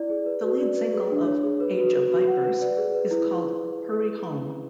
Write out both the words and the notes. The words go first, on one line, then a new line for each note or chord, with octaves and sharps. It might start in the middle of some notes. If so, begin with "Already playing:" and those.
The lead single of "Age Of Vipers" is called "Hurry Home".
Already playing: E4 D5
G#4
B4
F#4
D5
B4
G#4
D4
C#5
G#4
B4
F#4
B4
F#4
F#5
B4
D5
G#4
B4
E4